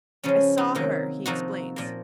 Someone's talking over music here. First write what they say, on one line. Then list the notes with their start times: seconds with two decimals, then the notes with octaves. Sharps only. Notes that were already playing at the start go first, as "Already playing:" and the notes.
"I saw her," he explains.
0.23 C#3 F3 G#3 C#4
0.57 C4 D#4
0.75 C3 D#3 F#3 A#3
1.26 C3 F3 A#3 D#4 F#4
1.76 A#2 F3 A#3